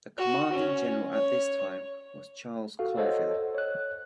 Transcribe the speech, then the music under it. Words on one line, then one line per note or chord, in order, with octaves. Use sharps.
The commanding general at this time was Charles Colville.
F#4
C#4
C#5
F#4 A4 F5
A4 C5 C#5 D#5 F#5
C#5 F#6